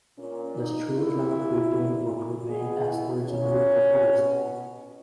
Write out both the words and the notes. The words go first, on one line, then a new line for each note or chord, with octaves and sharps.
The street-level retail would remain as originally proposed.
A#2 C#4
D#4
A#2 E4
A#2
B2 G#4
E4
A#2 C#4
B2